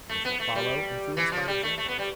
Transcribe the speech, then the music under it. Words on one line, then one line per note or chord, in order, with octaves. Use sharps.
Others will follow, influenced by example.
A3
B3
A3
G3
E3
F3
G3
A3
A3
B3
G3